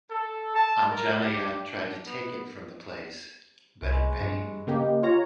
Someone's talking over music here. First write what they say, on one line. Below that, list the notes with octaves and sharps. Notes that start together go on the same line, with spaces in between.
Anjaneya tried to take it from the place but in vain.
A4
A5
A#4
G4
D4
B3
C2 E3 F#3 G#3
G2
C#3 A#3 G4 D#5
A#3 F4 C#5 A#5